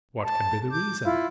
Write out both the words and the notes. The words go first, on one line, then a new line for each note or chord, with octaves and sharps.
What can be the reason?
A5
D6 G6
E4 F4